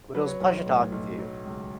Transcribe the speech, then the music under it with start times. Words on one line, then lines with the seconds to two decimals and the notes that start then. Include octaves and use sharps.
but it was a pleasure talking to you.
0.14 F#3 B4
0.28 C#5
0.41 B1 B4
0.66 A2
0.92 B1
1.18 F#3
1.45 C#2